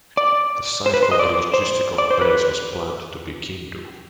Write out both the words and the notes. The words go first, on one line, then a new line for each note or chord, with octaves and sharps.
The site for the logistical base was planned to be Kindu.
D5
C5
B4
C5
D#5
D5
C5
D5
C5
B4